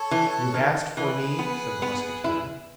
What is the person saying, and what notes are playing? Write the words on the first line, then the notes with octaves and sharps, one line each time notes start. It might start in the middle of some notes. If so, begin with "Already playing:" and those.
"You have asked for me?" said the Musketeer.
Already playing: A4 C#5
E3
D#3
E3 G#4 B4
B3
B3
E4